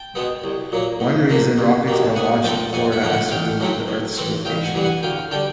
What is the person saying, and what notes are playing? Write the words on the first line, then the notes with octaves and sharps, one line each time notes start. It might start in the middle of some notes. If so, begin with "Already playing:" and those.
One reason rockets are launched in Florida has to do with the Earth's rotation.
Already playing: G5 A5
B2 G#3 B3
C2
A#2 F#3 A#3
A2
F3 A#3
C2
B2 G3 A#3
A5
G#2 F#5 G#5
F3 A3 C4 G5 A5
F2 F#5 G#5
E5 F#5
D3 F3 A3 C4
E5 F#5
A1 F5 G5
A2 F#3 A3 C4
A2
E3 A3 C4
A1 F5 G5
F#5 G#5
G2 E3 G3
F#5 G#5
D2 F5 G5
D3 G3 G5 A5